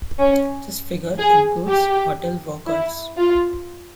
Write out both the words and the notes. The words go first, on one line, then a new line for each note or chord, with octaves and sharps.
This figure includes hotel workers.
C#4
G#4
G4
E4
F4